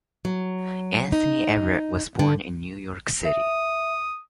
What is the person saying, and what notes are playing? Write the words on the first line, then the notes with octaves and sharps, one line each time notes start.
Anthony Everett was born in New York City.
F#3
D#4
D3
E5 D#6